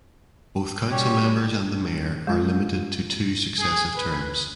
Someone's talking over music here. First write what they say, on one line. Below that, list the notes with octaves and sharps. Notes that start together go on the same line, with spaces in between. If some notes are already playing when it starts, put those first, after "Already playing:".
Both council members and the mayor are limited to two successive terms.
G3 C#4 F#4 G4 C#5
G#3 F4
G#4
B4